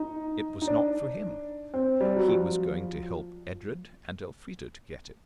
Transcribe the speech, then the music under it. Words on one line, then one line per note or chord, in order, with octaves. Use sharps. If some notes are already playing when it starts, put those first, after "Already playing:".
It was not for him. He was going to help Edred and Elfrida to get it.
Already playing: D#4
D#4
D4
C4
G3
F#3
F3